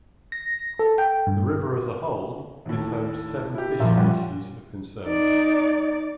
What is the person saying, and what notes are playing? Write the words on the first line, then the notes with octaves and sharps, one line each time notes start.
The river as a whole is home to seven fish species of concern.
A#6
A4
G5
G2
D#2 A2
E4 G4
F#1 A#2 F3 E5
G3 C#4 F#5
D#4 D5